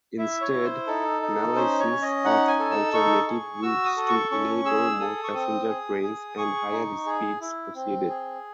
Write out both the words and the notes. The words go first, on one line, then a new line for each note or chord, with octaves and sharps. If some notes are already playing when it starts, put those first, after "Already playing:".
Instead, analysis of alternative routes to enable more passenger trains and higher speeds proceeded.
E4 E5
C#5
E4
C5
D#4 A4
D#4
C#4 C5
C#5
C#4
D#5
D#4 F#5
G#5
A4
E6
D#4 C#6
G#4
F#4 E6
D#6
A4
C#6
C#4 C#6
G#4 E6
A4 D#6
C#6
C4 D#6
G#4
G#4
G#4 C#6
D#4
G#4
E4
C4
G#4